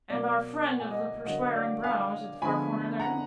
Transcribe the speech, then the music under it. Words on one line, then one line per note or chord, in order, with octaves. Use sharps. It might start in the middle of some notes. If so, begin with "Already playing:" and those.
'And our friend of the perspiring brow is at the far corner there?
B2 F#3 A#3 D5
F#5
G#5
D#5 F#5
D3 F#3 A#3 D#5 F#5
D5 F5
F5 G#5
D3 F3 G#3 B3 G#5 B5
F#5 A#5